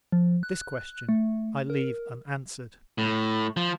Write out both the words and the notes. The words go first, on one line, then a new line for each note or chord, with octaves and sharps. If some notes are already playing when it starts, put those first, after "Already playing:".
This question I leave unanswered.
F3
F#6
A3
A#4
A2
F3